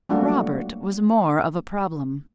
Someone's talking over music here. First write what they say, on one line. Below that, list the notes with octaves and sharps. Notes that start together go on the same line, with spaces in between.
Robert was more of a problem.
F#3 G3 A3 A#3 D4 F#4